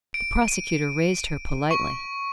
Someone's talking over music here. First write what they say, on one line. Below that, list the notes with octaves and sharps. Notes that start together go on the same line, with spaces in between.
The prosecutor raised her politely.
D7
D#7
C#6